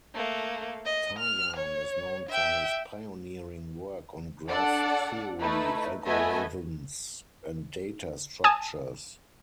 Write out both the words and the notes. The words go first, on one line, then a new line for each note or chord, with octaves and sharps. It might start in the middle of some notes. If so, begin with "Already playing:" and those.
Tarjan is known for his pioneering work on graph theory algorithms and data structures.
A3 A#3
D#5
F6
C#5
E5 G5
D4 A4 D5 F#5
A3 D#4 E4 B4
A3 B3 D#5 E5 G#5
G#5 A5 D#6